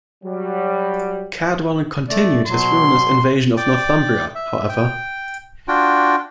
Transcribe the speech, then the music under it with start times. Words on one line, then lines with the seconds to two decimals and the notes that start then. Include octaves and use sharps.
Cadwallon continued his ruinous invasion of Northumbria, however.
0.24 F#3 G3
2.09 A3 D5
2.47 B2 F#3 C6
3.57 D5 G5 D6
4.35 E5
4.69 G5
5.68 D4 F4 F#4 G5